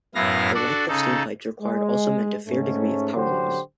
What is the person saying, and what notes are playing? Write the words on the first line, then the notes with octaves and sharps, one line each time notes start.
The length of steam pipes required also meant a fair degree of power loss.
F#2 A2 B3 E4 F5 A#6
D4 F#4 A4 D5
C#3 D#4 A4
G#3
G#2 A3 C#4
A1 D3 F#3 F#4 G4 C5